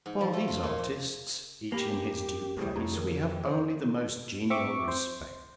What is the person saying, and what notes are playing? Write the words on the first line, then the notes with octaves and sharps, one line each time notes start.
For these artists, each in his due place, we have only the most genial respect.
G#2
F3
A3
F4
A#2
C5
A#3 G4 B4 G#5 B5
C2 A2 G3 G4 G#4 C5
F2 A2 F3 D4 A#5
D#2 A#4
A4 F5 G5
A4 C5 D#5
C4 E5 C#6 D6
C5